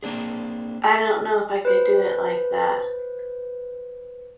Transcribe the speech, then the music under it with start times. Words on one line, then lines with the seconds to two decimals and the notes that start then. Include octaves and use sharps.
I don't know if I could do it like that.
0.03 A#3 C4 D4 G#4
1.65 B4 C5